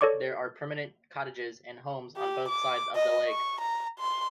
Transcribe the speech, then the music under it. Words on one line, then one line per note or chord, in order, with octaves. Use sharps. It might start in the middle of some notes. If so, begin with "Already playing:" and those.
There are permanent cottages and homes on both sides of the lake.
A4 C#5 D5 C#6 D6
G4
D6
D#5
C#6
A#5
C6